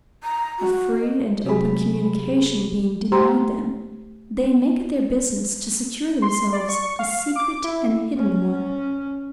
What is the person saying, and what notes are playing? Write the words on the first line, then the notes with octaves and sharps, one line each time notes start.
A free and open communication being denied them, they make it their business to secure themselves a secret and hidden one.
A#5
F#4
D#5
C3 F#3 C4 G4 G#4 B5
A3 G4 C5 A#5 C6
C6
D5
C#6
F5
D6
E4
C#4